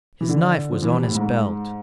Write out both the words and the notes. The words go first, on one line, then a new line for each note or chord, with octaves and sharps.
His knife was on his belt.
E3
D3
F3
E3
C3
A2
G#2